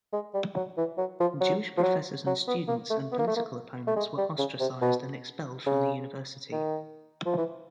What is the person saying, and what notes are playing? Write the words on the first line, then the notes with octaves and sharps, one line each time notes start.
Jewish professors and students and political opponents were ostracized and expelled from the university.
G#3
G3
F#3
E3
F#3
F3
F#3
F3
F#3
F#3
B3
A#3
A3
B3
A#3
A3
A#3
A3
G#3
G3
C#3
C3
B2
C#3
D#3
F3
E3